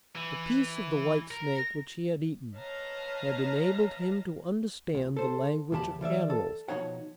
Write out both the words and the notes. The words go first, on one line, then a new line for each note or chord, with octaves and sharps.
The piece of the white snake which he had eaten had enabled him to understand the language of animals.
E3
A#4
B4 C#5 D#5 F5 A5 A#5
C#2
A4 C5
E2 C#3 G4 A5 B5
E3 G3 D5 E5
A4
B2 E3 F3 D#4 C#5 F#5